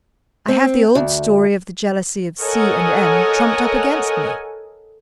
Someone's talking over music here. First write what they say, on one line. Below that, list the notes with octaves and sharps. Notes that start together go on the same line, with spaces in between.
I have the old story of the jealousy of C----and M----trumped up against me.
C4
D2
A4 A#4 C#5 D#5 F#5 G#5